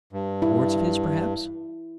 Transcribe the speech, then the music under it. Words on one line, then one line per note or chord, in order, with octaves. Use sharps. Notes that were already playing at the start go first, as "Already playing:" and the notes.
Wards of his, perhaps?
G2
E4